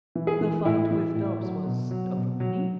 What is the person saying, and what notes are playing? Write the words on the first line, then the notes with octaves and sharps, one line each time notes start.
"The fight with Phelps was over money?"
E3
G#4
E3
A2 E4
E3
A2
F#3
B2
F#3
B2
F#3